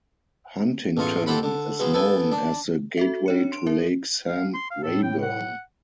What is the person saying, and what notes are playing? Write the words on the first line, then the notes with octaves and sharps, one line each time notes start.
Huntington is known as the "Gateway to Lake Sam Rayburn".
A1 E2 F4 D#5 C#6
F2 G4 A4 C5 F#5 B5
D3
C#3 F#3 G#3 B3
B3 A4 G5 G#5
D4
F#4 A4 E5
D4 C#5 C#7
C6 D7
E4 A#4 E5
F5
C6
F5
A2 A4
G5
F#5